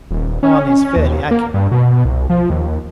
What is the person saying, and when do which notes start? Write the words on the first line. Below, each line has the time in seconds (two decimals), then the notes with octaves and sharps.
"Hahn is fairly accurate, Moa."
0.11 D#1
0.43 C#4
0.96 D#2
1.31 A#3
1.54 G2
1.71 B2
2.05 C2
2.30 F3
2.50 D#2